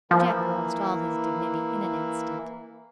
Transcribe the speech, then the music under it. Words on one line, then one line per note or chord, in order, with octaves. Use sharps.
Jack lost all his dignity in an instant.
E3 F3 A#3 E4